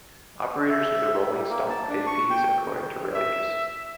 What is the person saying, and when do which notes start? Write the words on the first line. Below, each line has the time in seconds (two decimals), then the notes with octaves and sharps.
Operators of the rolling stock pay fees according to rail use.
0.69 E5
1.31 G3
1.49 A#3
1.70 A5
1.88 D4
2.07 C#6
2.30 G5
3.14 E5